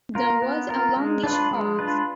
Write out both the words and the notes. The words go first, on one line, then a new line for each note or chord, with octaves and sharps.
There was a longish pause.
F4 A#4
B3
F4 A#4
G#3
D4 F4 B4
G#3
D4 F4 B4